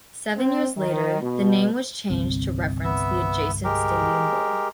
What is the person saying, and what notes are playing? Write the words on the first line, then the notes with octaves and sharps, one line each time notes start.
Seven years later, the name was changed to reference the adjacent Stadium Bowl.
C4
D#3
B2
G1 C2 C4
B3 E5
G#3 G4 A#4